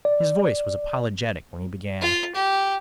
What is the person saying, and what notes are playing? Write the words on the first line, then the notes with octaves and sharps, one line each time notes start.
His voice was apologetic when he began.
D5
F4
G4